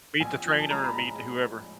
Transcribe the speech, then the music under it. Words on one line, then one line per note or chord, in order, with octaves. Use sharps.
Meet the trainer or meet whoever.
A#1 G#5
F3
A5
G#3 A#5
B5
A2